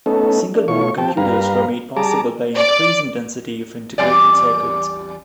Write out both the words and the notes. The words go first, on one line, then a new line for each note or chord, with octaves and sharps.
Single board computers were made possible by increasing density of integrated circuits.
A3 B3 C#4 D#4 A4
D4
B2 A3 F4 C#5 C#6
F3 C4 G4 G5 A5
G2 G3 B4 F5 A#5
G3 G#4 A5 A#5 D6
D5
E2 G3 D5